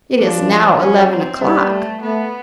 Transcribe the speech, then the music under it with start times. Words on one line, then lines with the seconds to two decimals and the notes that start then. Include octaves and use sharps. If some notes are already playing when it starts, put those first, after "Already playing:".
It is now eleven o'clock.
0.20 F3 D4
0.80 F#3 C#4
1.11 C4
1.41 G3 B3
1.71 A3
2.01 A3 B3